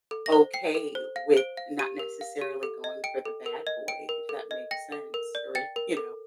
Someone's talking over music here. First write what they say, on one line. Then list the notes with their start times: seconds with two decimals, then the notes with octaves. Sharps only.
okay with not necessarily going for the bad boy, if that makes sense, or you know?
0.11 A4
0.26 A#6
0.32 C5
0.54 G5 C7
0.75 A4
0.95 C5
1.16 F5
1.37 C5 D7
1.57 F5
1.79 G4 D#7
1.99 A#4
2.21 F5
2.41 G4
2.63 A4
2.84 D#5
3.04 G5 D7
3.25 A4
3.46 A#4
3.67 D#5
3.88 G5 D7
4.09 A#4
4.29 A4
4.51 D#5
4.71 G5 A#6
4.92 A4
5.14 A#4
5.35 D5
5.55 G5 A6
5.76 A#4
5.97 A4